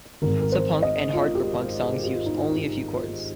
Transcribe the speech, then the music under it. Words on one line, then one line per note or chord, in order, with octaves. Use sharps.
Some punk and hardcore punk songs use only a few chords.
G#1 G#2 D#3 A#4
A#4
C5
D#5
F4
G4
G#4
G4
F4
D#4
F4
D#4
F4